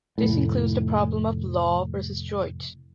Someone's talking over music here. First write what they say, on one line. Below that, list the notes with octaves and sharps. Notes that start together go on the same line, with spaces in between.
This includes the problem of "law" versus "droit".
F1 A2